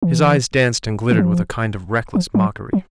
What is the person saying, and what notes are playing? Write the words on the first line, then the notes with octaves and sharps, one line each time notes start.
His eyes danced and glittered with a kind of reckless mockery.
E3
E3
F3
F3
F#3
F#3